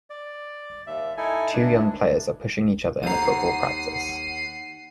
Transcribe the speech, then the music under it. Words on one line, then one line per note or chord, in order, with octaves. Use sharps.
Two young players are pushing each other in a football practice.
D5
D#2 E5
D#4 E4 A4 G#5
D2 D4
D#2 A4 C5 F#5 A#5 C7 D#7